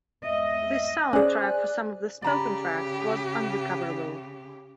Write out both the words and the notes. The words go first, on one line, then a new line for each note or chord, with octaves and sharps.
The soundtrack for some of the spoken tracks was unrecoverable.
E2 G#3 D#5 E5
C#4 G#4 C5 D5 G#5 F#6
C#3 G4 D5 A#5 B5